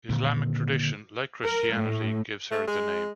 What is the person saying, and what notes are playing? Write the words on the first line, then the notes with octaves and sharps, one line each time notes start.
Islamic tradition, like Christianity, gives her the name.
A#2 D3 D#3
A#4
A2
A3
G#3